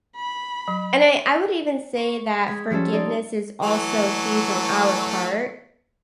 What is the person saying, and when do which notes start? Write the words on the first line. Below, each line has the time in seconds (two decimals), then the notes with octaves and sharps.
and I I would even say that forgiveness is also huge on our part
0.16 B5
0.68 F#3
1.97 C#6
2.47 G#3 G#6 B6
2.70 F3 G3 C#4 A4
2.93 D#4 D5 C6
3.62 E3 F#3 A3